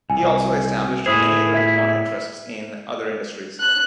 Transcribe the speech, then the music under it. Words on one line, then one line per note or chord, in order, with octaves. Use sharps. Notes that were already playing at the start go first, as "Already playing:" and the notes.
He also established many other DuPont interests in other industries.
C2 G#5
A2 E4 G#4 C5 D#6
E5 G#6 B6
F#6